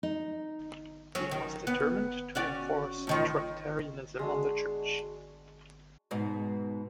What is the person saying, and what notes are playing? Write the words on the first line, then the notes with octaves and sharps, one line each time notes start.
He was determined to enforce Tractarianism on the Church.
D#4
F#3 C#4
D#3
B3
C#4 F#4 D5
A2 D#3 F3
G#3 D4 F#4
G#2 B2